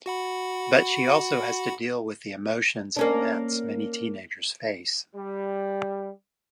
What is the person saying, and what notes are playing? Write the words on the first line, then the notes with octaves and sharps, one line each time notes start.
But she also has to deal with the emotions and events many teenagers face.
F#4 F#5 B5
A#3 C#4 D4
G3